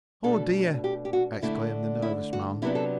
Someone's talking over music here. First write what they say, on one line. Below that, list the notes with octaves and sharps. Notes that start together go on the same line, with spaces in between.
"Oh, dear!" exclaimed the nervous man.
B2 A3 D4 A4
G4
G4
F#4
D3 A3 D4 E4
E4
F#4
C3 F#3 B3 D4 E4
A4